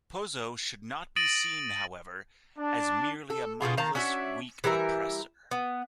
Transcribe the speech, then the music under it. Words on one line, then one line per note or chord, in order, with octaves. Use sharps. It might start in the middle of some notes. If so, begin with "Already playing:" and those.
Pozzo should not be seen, however, as merely a mindless, weak oppressor.
D#6 A6 A#6 D7 D#7 F#7
D4
A4
B2 E3 F4 G#4
D#3 F5 A5 A#5
C#4 D4 F#4 E5
E3 G3 A#4 E5
B3